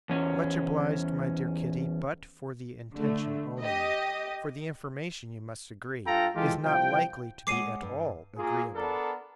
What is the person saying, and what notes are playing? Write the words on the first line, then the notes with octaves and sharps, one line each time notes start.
"Much obliged, my dear Kitty; but for the intention only--for the information, you must agree, is not likely to be at all agreeable."
E2 C#4
D3 A3
G4 D#5
G2 F4 A4 G5 A#5
E3 G#3 F4 G4 A4
C2 F3 G5
G#3 C#5 F#5 D6 C7 D#7
G2
A#2 A#3 F4 G#4
B3 D4 A4 A#4